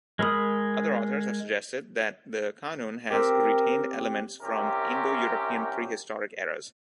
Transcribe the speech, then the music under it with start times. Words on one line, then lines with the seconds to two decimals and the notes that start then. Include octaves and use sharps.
Other authors have suggested that the Kanun has retained elements from Indo-European prehistoric eras.
0.19 G#3 A#4 B5 D#6
3.10 C4 G4 A#4
4.41 C2 F#2 C3 C#4 G4 A#4